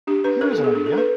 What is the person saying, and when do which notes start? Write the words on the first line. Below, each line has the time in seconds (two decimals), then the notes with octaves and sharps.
Here is an idea!
0.07 D4 G4
0.24 D4 B4
0.41 D4 A#4
0.52 A4
0.58 B3
0.64 G#4
0.75 D4 G#4
0.86 A4
0.92 D4 A#4
0.98 B4